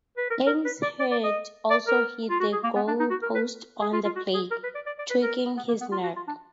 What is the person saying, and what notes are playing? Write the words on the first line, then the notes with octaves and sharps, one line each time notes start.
Ainge's head also hit the goalpost on the play, tweaking his neck.
B4
A#4
A#4
B4
D5
D5
D5
D#5
D5
A#4
F4
F#4
G#4
A#3
B3
D4
D#4
F#4
A#4
B4
G#4
F4
F4
F#4
G#4
A#4
B4
D5
D5
D5
B4
A#4
B3
A#3
B3
F4
F#4
F4
D4